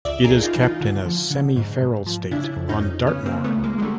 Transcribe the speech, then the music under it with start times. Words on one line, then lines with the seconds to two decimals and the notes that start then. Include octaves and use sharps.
It is kept in a semi-feral state on Dartmoor.
0.05 C#2 D5 E5
0.24 G#4 A#4
0.30 C#2
0.43 D#4 F4
0.56 E3
0.62 D#4 F4
0.81 D3
1.06 F3
1.31 D3
1.56 G#2
1.82 G#2
2.06 F3
2.31 C#3 D4 E4
2.57 F2
2.69 C#4 D#4
2.82 F2
3.07 C#3 B3 C#4
3.26 A#3 C4
3.32 C#3
3.44 A3 B3
3.57 C#2
3.63 G#3 A#3
3.78 G#3
3.82 D3 G3 A3